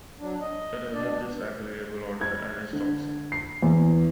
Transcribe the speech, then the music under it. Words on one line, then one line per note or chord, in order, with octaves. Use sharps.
It has a disagreeable odor and is toxic.
F#3 D4
D#5
B2 D4 D5
G#6
D3
C7
E2